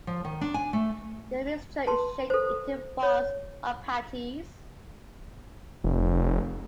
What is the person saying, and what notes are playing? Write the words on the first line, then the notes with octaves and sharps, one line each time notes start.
The mixture is shaped into balls or patties.
F3
D#3
D4
G#5
A3
B4 A5 C6
A4 C5
C#5
F1